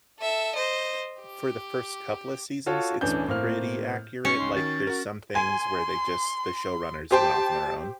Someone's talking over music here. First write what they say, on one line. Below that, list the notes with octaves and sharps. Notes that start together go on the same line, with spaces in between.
for the first couple of seasons, it's pretty accurate, like, there's some things where they just the showrunners went off on their own,
A4 E5
C5 D#5
G4
F4 F#4 A4 C#5
D1 A2 E3 C#4 D4 G6
A2 A#3 C4 F6
G#2 C#4 C#7
C#2 D#4 C6
D#3 F#4 A6
F#4 A#4
G#5 C6
G4 C5 G5 A5